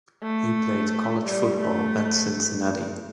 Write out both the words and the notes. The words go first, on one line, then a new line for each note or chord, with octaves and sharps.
He played college football at Cincinnati.
A3
G3
A3